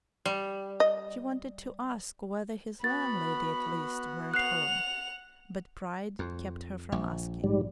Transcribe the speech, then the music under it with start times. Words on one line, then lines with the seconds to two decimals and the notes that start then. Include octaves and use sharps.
She wanted to ask whether his landlady at least were at home, but pride kept her from asking.
0.25 G3
0.80 D#5
2.84 B3 F#4 B5 A6
4.34 F#5 F#6 C7 F7
6.19 F2
6.92 A#1
7.44 G#2 G3